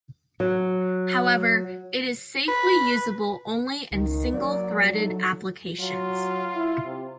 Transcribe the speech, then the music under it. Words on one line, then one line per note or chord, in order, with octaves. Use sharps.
However, it is safely usable only in single-threaded applications.
F#3
B4
C#2 D#3
F#3 A#3 D5
D#4 E4 A4
F#3 F4
E4
C3